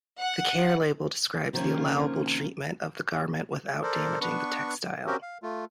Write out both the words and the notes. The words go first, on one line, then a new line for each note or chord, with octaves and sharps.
The care label describes the allowable treatment of the garment without damaging the textile.
F#5
C3 D#3 F3 A#3 C#4 F4
A4 A#4 C5 D5
B3 D4 B4 C#6
C4 C#4 F#4 G4 A#4
F5
A3 F4